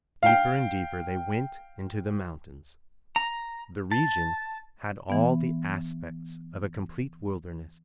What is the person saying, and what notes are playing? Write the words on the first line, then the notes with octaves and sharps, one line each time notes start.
Deeper and deeper they went into the mountains. The region had all the aspects of a complete wilderness.
F5 G5
A#5
A5
E3 B3